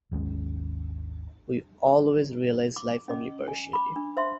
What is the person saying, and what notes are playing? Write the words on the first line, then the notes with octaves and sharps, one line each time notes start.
We always realise life only partially.
G#1 D#2 G#3 C#4
D6
C#4 D#5 D6
G#5
B5 D6
D4
C5 E5 C6